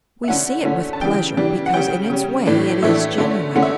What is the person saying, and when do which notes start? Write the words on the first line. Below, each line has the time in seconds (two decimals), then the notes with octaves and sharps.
We see it with pleasure, because, in its way, it is genuine.
0.24 E5
0.28 D3 A3 C#4 F#5
0.64 D3 A3 C#4
0.93 A5
1.01 C#3 E3 G3 D4 G5
1.37 C#3 E3 G3 D4
1.66 F#5
1.73 C#3 G3 C#4 G5
2.10 C#3 G3 C#4
2.46 A2 E3 A3 D4
2.82 A2 E3 A3 D4 E5
3.18 D3 A3 C#4
3.56 D3 A3 C#4 F#5
3.63 E5